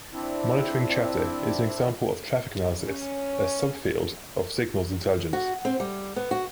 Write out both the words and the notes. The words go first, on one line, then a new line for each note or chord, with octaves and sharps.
Monitoring chatter is an example of traffic analysis, a sub-field of signals intelligence.
C4 D4 E4
C#4
F#4
C4
G3
B3
F#4